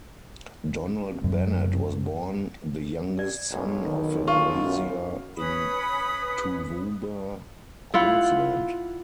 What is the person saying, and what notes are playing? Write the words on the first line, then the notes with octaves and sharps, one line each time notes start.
Donald Bennett was born the youngest son of a grazier in Toowoomba, Queensland.
F#2
D5
B1
D#3
F4 C#6
F#2
C#4 B4 B5 D#6
E4 F4 F5 F#5